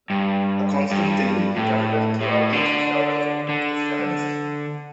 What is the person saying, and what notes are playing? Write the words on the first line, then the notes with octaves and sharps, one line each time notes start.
A constant theme, prevalent throughout most of Sheldon's work, is feminism.
G2
G2
A2
A2
D3
D3